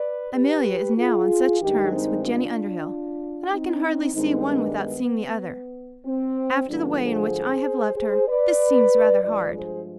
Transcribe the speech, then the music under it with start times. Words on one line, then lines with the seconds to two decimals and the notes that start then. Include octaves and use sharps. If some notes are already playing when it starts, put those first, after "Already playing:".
Amelia is now on such terms with Jenny Underhill that I can hardly see one without seeing the other After the way in which I have loved her, this seems rather hard.
Already playing: B4 D5
0.34 G4 B4
0.97 F4 G#4
1.60 G2 D#3 G#3 D#4 G4
1.92 C4 D#4
2.24 D4 F4
3.50 C4 D#4
4.14 G2 D#3 G#3 C4 D#4
4.46 B3 D4
4.78 B3
6.05 C4
6.68 G2 D3 F3 G#3 B3 D4
7.00 G#4 C5
7.95 G#4 C5
8.27 B4 D5
9.22 G2 F3 G#3 B4 D5
9.54 G#4 C5